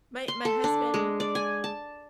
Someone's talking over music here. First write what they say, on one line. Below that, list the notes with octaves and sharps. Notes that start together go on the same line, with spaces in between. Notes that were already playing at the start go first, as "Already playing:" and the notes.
my my husband
C6
A4
D4
G#3
D5
G#5
A5